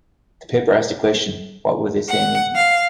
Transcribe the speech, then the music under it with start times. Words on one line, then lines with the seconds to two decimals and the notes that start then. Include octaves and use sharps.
The paper asked the question What will they say in England?
2.08 F#5
2.55 F5